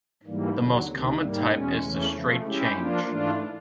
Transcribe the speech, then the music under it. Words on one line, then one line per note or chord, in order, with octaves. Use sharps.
The most common type is the straight change.
G#2 E3 G3 A#3
D#2 D3 F#3
D2 C3 D#3
G#2 D#3 G3 A#3
E2 B2 G#3 C#4
E2 C#3 E3 A3 C#4
C#3 F3 A3
G#3 C#4 E4 G4
F3 A#3 D4 F4
G#2 E3 A3 D4 F4